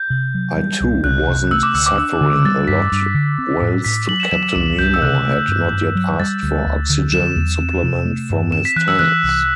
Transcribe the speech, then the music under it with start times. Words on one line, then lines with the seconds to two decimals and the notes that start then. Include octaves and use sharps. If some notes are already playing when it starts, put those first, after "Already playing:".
I too wasn’t suffering a lot whilst Captain Nemo had not yet asked for oxygen supplement from his tanks.
Already playing: G6
0.10 C3
0.34 F#3
0.58 G3
0.80 C2
1.04 C2 F#6
1.28 C3
1.51 A3 E6
1.63 D6
1.74 D2 E6
1.86 D6
1.98 D4 E6
2.21 D3
2.45 G3 A6
2.68 G2 B6
2.92 G2
3.14 D3
3.38 C4
3.62 A2
3.85 A2 B6
4.08 F#3 F#7
4.20 E7
4.31 F#3 E7
4.55 C2
4.78 C2 G6
4.94 E6
5.02 C3 F#6
5.26 A3
5.48 G2
5.72 G2
5.95 F#3
6.20 G3 A6
6.43 D2
6.66 D2
6.90 D3
7.12 F#3 E7
7.36 E2
7.59 C4
7.83 C3
8.06 A3
8.30 G2
8.52 C4 E7
8.65 B6
8.76 E3 F#6
8.88 E6
8.99 E3 F#6
9.23 C2